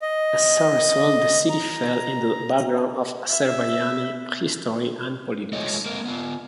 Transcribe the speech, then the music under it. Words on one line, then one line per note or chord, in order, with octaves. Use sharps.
As a result, the city fell into the background of Azerbaijani history and politics.
D#5
A#5
E5
G#3 A3 F4 A4 C#5 D#5
G#3 A#3 C4 A#4
B3 F4